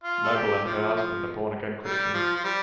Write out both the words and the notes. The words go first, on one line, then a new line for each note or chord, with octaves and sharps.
Noble and her husband are born again Christians.
F4
A4
G4
F3
F3
G3
F3
F3
G3